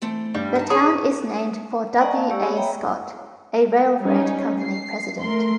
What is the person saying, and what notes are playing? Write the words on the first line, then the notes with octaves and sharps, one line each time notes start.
The town is named for W. A. Scott, a railroad company president.
E3 A3 C4
G2 G3
D#4 A5
G#4 C#5 D#6
D5 D#5 F#5 G#5 A#5 C#6
A#3 F5 A5
G#3 G4 D5 C#6 E6
A#3 C#5 D#5 B5
C#5 E5 G5 A#5 B5
G3 C#4 D#4
C7
A3 A#4 C6